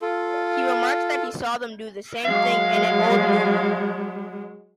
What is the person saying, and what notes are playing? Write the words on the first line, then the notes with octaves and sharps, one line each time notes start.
He remarks that he saw them do the same thing in an old movie.
F4 A4
F#3 G#3 F5